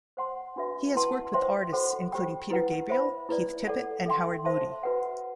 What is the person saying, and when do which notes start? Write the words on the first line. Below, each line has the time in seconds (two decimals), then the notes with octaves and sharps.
He has worked with artists including Peter Gabriel, Keith Tippett and Howard Moody.
0.17 C5 F#5 C6
0.56 D4 F#4 B4 E5
0.95 E4 B4 F#5 A5 C6
1.34 C5 E5 G5 C6
1.73 F#4 A4 C5 F#5
2.12 G4 C5 G5 B5
2.50 E4 B4 F#5
2.90 C5 E5 B5
3.29 E4 B4 D5
3.67 A4 D5 F#5
4.06 A4 E5 G5 C6
4.45 C5 E5 A5 C6
4.83 F#4 B4 F#5